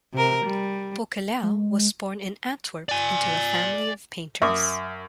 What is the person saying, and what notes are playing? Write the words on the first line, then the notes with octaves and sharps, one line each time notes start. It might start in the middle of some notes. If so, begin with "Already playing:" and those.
Beuckelaer was born in Antwerp into a family of painters.
C3 A#4
G3
G#3
D5 G#5
F#2 E5 D6 D#6